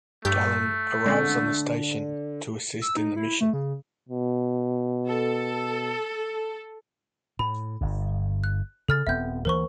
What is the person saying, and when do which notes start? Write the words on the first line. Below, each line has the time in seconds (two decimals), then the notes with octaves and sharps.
Galen arrives on the station to assist in the mission.
0.25 G2 A3 G4 G6
1.06 D3 G#3 C4 C#4
2.82 E6
2.97 D#4
3.16 E4
3.41 A3
3.53 C#3
4.09 B2
5.07 A4
7.39 A2 B5
7.81 G1 G2
8.44 F#6
8.88 C#3 A4 F6 A6
9.07 D#1 B3 C4 E5 G6
9.45 D2 E3 A#3 A#4 C5 C#6